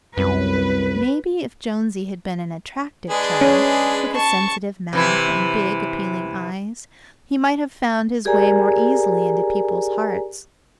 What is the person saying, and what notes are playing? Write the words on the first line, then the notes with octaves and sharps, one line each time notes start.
Maybe if Jonesy had been an attractive child, with a sensitive mouth, and big, appealing eyes, he might have found his way more easily into people's hearts.
C2 F#2 B4
G#3 D4 G#4 B4
C#4
A5 C#6
C3 E3 E4
G4 G#4 A#4 D5 G#5 A#5